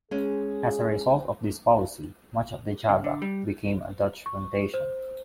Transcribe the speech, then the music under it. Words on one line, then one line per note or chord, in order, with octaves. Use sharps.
As a result of this policy, much of Java became a Dutch plantation.
G#3 C#4 G#4
C#3
D3
G3
C#6
C5